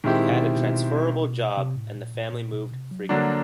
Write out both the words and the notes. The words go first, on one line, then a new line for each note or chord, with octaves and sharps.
He had a transferable job and the family moved frequently.
A#2 D#3 G#3 C4 E4 G4
B2
B2
C3
A2
A#2
A#2
A#2
B2
C3
F#3
D3 F#3 G3 A#3 D4 F#4